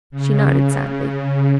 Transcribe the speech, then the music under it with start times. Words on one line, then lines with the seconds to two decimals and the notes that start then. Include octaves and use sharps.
She nodded sadly.
0.11 C#3